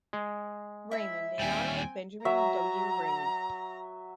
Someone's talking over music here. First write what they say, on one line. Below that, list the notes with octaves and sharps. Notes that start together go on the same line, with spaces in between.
Raymond in honor of Benjamin W. Raymond.
G#3
E4 E5
D#2 G3 C4 G5 G#5
F#3 E5 A#5